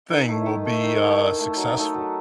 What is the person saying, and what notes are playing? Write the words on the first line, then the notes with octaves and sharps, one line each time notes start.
thing will be, uh, successful?
D#3
A3 E4
D#3
A3 E4
D#3
A3 E4
D#3
A3 E4
F#3
A3 D#4 A4
F#3